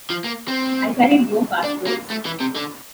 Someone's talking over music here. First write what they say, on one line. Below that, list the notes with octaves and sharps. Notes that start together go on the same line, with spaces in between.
I carried no passports.
F3
A#3
C4
D4
A#3
A3
E3
C3
D3